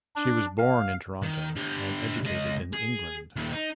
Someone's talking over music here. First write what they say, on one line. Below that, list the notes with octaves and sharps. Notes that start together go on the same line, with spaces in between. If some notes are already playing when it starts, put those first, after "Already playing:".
She was born in Toronto, and educated in England.
D4
F5
D#3
D3 G4
C#2 D#5
G#4
D#2 A#2
D#4